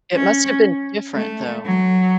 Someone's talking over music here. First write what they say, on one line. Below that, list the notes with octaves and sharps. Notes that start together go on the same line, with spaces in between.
It must have been different, though.
C#4
A3
F#3